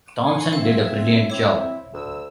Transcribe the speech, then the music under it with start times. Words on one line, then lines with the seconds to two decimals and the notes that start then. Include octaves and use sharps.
Thomson did a brilliant job.
0.24 G#5 C6 C#6
0.53 C4 E5 F5 E6 G#6
1.30 C4 E4 C#5 D6
1.93 D2 E6